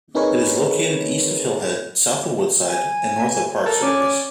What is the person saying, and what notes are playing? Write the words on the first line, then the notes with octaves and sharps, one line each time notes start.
It is located east of Hillhead, south of Woodside, and north of Park Circus.
C4 D#4 G#4 A#4 B4 C#5
G#5
A4 A#4
C#4 D5
D5